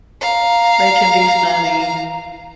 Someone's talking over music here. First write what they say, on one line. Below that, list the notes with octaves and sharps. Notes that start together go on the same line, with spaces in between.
They can be funny.
F5 A#5